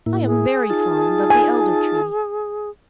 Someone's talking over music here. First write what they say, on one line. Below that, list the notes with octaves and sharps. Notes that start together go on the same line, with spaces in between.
I am very fond of the Elder-tree.
A2 A#3 E4
G#4
D#4 F4 A5
G#5